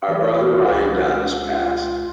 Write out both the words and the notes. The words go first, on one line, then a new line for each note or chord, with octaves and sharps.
Our brother Ryan Dunn has passed.
E3
C#2
F4